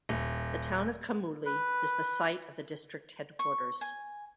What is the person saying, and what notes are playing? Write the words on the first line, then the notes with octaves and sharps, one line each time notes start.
The town of Kamuli is the site of the district headquarters.
D#1
B4
C#6
G#5